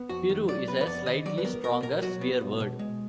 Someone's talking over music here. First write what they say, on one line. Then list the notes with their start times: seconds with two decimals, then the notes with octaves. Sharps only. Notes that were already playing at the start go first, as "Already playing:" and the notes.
"Piru" is a slightly stronger swear word.
Already playing: B3
0.09 F2 F#4
0.29 D#3
0.48 F#3 D5
0.68 B3 B4
0.81 B4
0.87 F2 D5
1.06 D#3 D#5
1.25 F#3 D5
1.38 B4
1.44 B3 A#4
1.64 B1 A#4
1.82 B2 A#4
2.02 F#3 F#4
2.21 B3
2.41 B1
2.60 B2
2.79 G#3